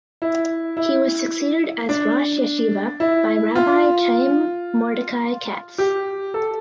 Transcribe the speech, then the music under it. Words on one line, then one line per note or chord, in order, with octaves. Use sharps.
He was succeeded as rosh yeshiva by Rabbi Chaim Mordechai Katz.
E4
E4
D4
E4
F4
G4
A4